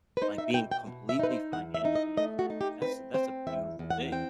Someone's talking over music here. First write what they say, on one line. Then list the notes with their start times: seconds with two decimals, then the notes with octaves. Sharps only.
like, being completely financially independent, that's that's a beautiful thing,
0.17 B4
0.22 D#4 C5
0.38 E5
0.54 B2 G5
0.72 G5
0.87 B2
1.09 E5
1.19 D#4 B4
1.31 C5
1.52 E2 F#5
1.74 E5
1.85 D#4
1.95 D#5
2.17 A3 D#5
2.39 F#4
2.50 D#4
2.61 G4
2.82 C4 B4
3.14 C4 C5
3.47 E2 E5
3.79 E2
3.90 F#5
4.12 C4 G5